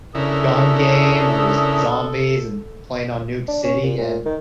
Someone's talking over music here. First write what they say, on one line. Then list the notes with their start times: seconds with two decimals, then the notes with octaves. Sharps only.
Gun game or Z Zombies!!! and playing on Nuke City and
0.15 C#3 D4 E4 A4 A#4 D#6
3.48 D4
3.64 C#4
3.84 A#2
3.98 A#2
4.26 D#3